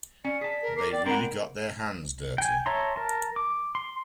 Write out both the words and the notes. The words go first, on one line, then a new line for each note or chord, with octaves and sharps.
They really got their hands dirty.
C#4 D5 C#7
G#4 A5 B6
A#4
A#4 D6 C7
D5 G5 A6
C4 E4 A#4 F#5 A#5 D7
G5 G#5
C#5 E5 A5 A#5 C6
A#4 A5
D6
C6